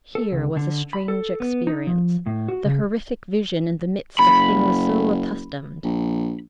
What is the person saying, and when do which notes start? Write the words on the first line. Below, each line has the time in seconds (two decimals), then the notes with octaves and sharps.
Here was a strange experience--the horrific vision in the midst of things so accustomed.
0.15 A4
0.32 C#2
0.57 D3
0.93 B5
1.08 A4
1.40 B3
1.67 D#4
1.87 F3
2.26 A2
2.48 F#4
2.65 C#3
4.19 F#1 B5
5.84 A#1